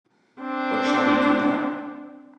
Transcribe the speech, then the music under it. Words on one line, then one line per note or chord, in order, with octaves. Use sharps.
What Shall We Do Now?
C4 D4